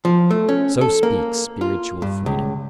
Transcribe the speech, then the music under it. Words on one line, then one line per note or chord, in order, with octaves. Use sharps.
So speaks "spiritual freedom."
F3
A3
C#4
A4
A#3
F4
G2
C#2